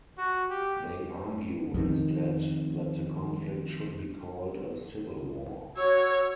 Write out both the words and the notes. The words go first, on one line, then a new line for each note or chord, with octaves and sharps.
They argue, instead, that the conflict should be called a "civil war".
F#4
G4
F2 C3 D#3
F#4 C#5 E6 G#6